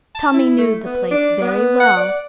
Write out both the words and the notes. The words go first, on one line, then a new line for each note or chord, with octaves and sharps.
Tommy knew the place very well.
A5
E4
A3
B3
D4
B3
F#5
D5